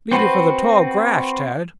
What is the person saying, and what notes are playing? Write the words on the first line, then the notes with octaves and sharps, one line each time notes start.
"Beat it for the tall grass, Tad!"
C4 F#4 B4 C5